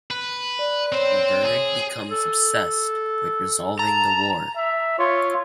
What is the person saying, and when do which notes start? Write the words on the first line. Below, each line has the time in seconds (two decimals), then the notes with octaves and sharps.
Bird becomes obsessed with resolving the war.
0.11 B4
0.59 D5
0.92 C4 C5 C#5
1.44 G#4
2.10 A4
3.79 A5 A#5
4.57 E5
4.99 F4 C#5